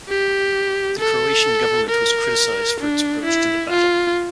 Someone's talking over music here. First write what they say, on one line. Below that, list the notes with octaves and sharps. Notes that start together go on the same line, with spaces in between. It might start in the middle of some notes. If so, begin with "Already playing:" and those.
The Croatian government was criticised for its approach to the battle.
G4
A4
A#4
D4
E4
F4